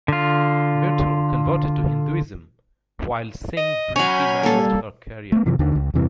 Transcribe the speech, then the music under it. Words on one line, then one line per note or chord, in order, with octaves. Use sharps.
Myrtle converted to Hinduism, while Singh briefly managed her career.
D3 F4
D#5
F#3 C#4 G#5 B5 F6 G6
G3 A#3 A4
A3 B3
F#2 C3 E3 F3
D#2 D3 D#3
C#2
E2 G2 C3 E3